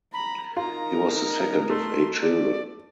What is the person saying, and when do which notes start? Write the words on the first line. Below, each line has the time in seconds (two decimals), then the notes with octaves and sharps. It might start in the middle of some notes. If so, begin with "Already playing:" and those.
He was the second of eight children.
0.13 A#5 B5
0.57 D#4 F4 A#4 A#5
1.70 A3 C6
2.21 D5